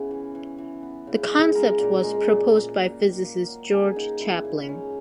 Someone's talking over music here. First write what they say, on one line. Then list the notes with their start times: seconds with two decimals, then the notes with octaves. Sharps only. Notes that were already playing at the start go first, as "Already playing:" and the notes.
The concept was proposed by physicist George Chapline.
Already playing: C#3 B3 C#4 E4
0.11 E3
0.35 E3
0.58 E3
0.83 B3
1.07 C#3
1.31 G#3
1.55 G#3 A#4
1.80 A#2
2.04 G#3
2.27 A#2
2.51 A#2
2.76 A#2
3.00 D#3
3.24 A#3
3.48 F#3
3.72 C#3 G#4
3.96 F#3 D#4
4.20 C#3 E4
4.44 A#2 D#4
4.68 G#3 C#4